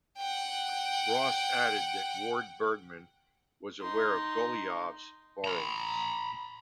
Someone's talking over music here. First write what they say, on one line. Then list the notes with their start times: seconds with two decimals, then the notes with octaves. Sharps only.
Ross added that Ward-Bergeman was aware of Golijov's borrowings.
0.18 F#5 G5
3.81 D#4 C6
5.44 A#5 B5